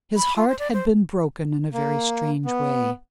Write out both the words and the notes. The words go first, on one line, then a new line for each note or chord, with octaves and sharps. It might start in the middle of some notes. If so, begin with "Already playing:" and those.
His heart had been broken in a very strange way.
B5
F4
C5
D5
C5
A#3
B3